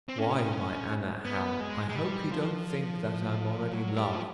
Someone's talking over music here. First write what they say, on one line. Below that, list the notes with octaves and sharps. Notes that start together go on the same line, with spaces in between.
Why, my Anna Howe, I hope you don't think that I am already in love--!
C4
C#4
B3
G#3
G#3
G3
F3
F#3
G3
F3